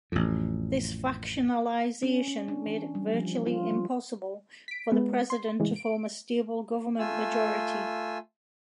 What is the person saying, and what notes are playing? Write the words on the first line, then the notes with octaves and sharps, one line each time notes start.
This factionalization made it virtually impossible for the president to form a stable government majority.
A1 F2
C#4
C#4
D4
E3
G3
F3
F4
G3
B6 D7
G#3 B3
C6
A2 C#3 E3 G#3
D7
A3 F4 G#5 E6